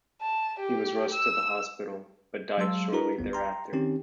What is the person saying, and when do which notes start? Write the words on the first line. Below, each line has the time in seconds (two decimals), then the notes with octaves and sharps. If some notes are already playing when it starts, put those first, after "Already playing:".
He was rushed to the hospital, but died shortly thereafter.
0.22 A5
0.60 G4
1.14 E6
2.58 F#3 G#3 F5 A5 C6 E6
2.92 D4 E4 F#4 A#4 B4 A#5
3.19 G1 D#2 B3
3.33 G5 A#5 C6
3.73 D#3 C4 C#4 D#4 G4